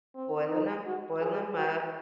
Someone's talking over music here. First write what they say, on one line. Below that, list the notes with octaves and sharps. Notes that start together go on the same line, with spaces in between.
boiling ‘em boil ‘em up,
C4
D#4
F#4
G#4
F#4